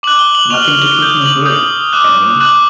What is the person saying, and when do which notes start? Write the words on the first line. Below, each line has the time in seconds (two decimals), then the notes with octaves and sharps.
Nothing to keep me here, I mean.
0.03 D6 F#6 F#7
0.19 G7
0.35 F#7
0.50 C#6 F6 F7
0.63 G7
0.75 F#7
0.87 G7
0.98 D#6 G6
1.22 F#7
1.45 D#6 G6
1.93 D6 F#6
2.40 D6 F#6 F#7